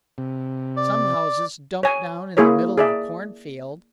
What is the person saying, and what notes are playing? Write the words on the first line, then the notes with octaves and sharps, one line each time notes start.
Some houses dumped down in the middle of a cornfield.
C3
D5
C#5 G#5
A#3 E4 G#4 A#4 C#5
G#4 D5 E5